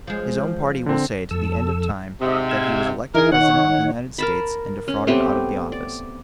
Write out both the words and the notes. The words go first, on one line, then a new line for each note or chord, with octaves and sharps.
His own party will say to the end of time that he was elected president of the United States, and defrauded out of the office.
F3 G#3
D3 C4
F2 A4 E6
G#2 C3 D#5 E5
F5 E6 G#6
E3 D#4 E4 G#4 A#4
D#3 D#4 C#5 F#5
A#4 A5 B5
C#4
A3 B3 C4 G4
D5